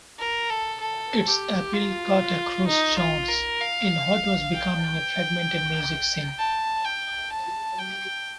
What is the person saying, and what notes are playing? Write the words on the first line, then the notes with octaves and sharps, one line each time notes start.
Its appeal cut across genres, in what was becoming a fragmented music scene.
A#4
A4
A4
G4
F4
D#4
F4
A#4
F5
G5
A5
G5
A5
G5